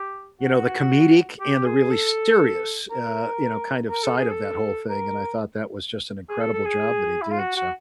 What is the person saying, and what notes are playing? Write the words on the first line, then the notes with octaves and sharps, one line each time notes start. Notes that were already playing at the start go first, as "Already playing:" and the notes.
you know, the comedic and the really serious, uh, you know, kind of side of that whole thing, and I thought that was just an incredible job that he did, so.
Already playing: G4
F#4
G4
G#4
A4
A#4
A#4
A4
G#4
A4
A#4
G#4
A4
A4
G#4
E4
F4
F#4
F#4